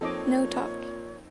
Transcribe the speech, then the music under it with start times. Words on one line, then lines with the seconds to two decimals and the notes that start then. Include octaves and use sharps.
No talk.
0.01 F2 A#2 C4 D#4 A4 C#5 D#5 D6